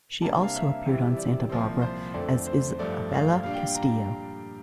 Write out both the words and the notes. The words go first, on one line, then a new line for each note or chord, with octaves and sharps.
She also appeared on "Santa Barbara" as Isabella Castillo.
C3 G3 A#3 D4 A5
F5
E5
C3 E3 G3
D5
C2 A#2 F3 C4
C5
F2 D3 A3 C4 D5
C5
G2 F3 A3 D5
F5
A#2 G3 D4 F5
G5
A#5